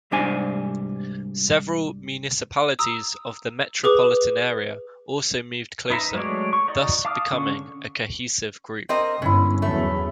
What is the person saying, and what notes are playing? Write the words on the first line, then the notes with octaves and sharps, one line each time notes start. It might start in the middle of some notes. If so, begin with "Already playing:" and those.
Several municipalities of the metropolitan area also moved closer, thus becoming a cohesive group.
C2 G#2 G3 D4 C5 G#5
A#5 D#6 E6
G#4 B4 D6
D#4 B4 E5 A#5
F#3 G#3 A3 C#5 D5
C#6
D#4 F#4 D5 D#5 C#6
F5 A5 D6 D#6 F6
D3 C#4 C#6
C4 A#4 D#5
G1 G#2 C#4 E4
E2 F#3 A3